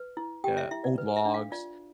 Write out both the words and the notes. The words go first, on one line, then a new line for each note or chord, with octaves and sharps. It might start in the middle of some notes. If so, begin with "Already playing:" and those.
uh, old logs,
Already playing: B4
E4
G4 G5
E5
E4 E5
D5
B4
E5
D4
F5
F4 D5